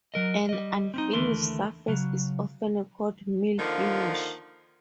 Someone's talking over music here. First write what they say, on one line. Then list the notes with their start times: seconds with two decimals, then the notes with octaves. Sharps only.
An unfinished surface is often called "mill finish".
0.14 F#3 A#4 D#5
0.49 G3 D#5
0.94 C4 C#4 D#4
1.13 D#2 D3 E3 A3 A#4 C6
1.88 C#3 F#3
3.59 D3 D#3 F3 A#3